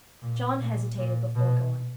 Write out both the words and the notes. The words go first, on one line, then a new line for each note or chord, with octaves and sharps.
John hesitated before going.
A#2
A#2
A#2
B2